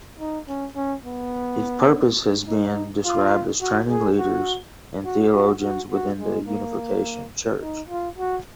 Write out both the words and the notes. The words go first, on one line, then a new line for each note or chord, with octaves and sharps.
Its purpose has been described as training leaders and theologians within the Unification Church.
D#4
C#4
C#4
B3
D#4
F4
F#4
G#4
F#4
F#4
F#4
F#4
F#4
G#3
A#3
D#4
F4
F#4